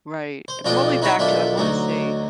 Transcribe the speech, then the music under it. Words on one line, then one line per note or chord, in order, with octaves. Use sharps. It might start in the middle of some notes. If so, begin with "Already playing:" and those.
Right, probably back to I wanna say,
C5
B1 F2 D4 F4 D#5 G5
D#4 E4 B4 C#5 D#5
B1 D#3 D4 F4 E5
D2 F#3 D#4